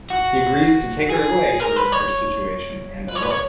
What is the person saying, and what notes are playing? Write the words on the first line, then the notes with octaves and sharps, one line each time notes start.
He agrees to take her away from her situation and elope.
F#4
G#4
A#4
B4
C#5
B4
C#5
B4
C#5